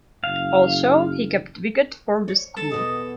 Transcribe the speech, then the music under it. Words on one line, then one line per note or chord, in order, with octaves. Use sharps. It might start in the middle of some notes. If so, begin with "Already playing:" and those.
Also he kept wicket for the school.
F#1 F5
C#5
A4 A5
E2 B2 E3 D#5